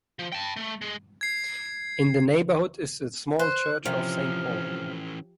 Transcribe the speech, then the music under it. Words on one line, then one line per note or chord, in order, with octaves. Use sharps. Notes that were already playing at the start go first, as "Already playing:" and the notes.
In the neighbourhood is the small church of Saint Paul.
F3
G5 A5
A3
G#3
G#6 C7
C5 F#6
C3 E3 F3 C#4 F6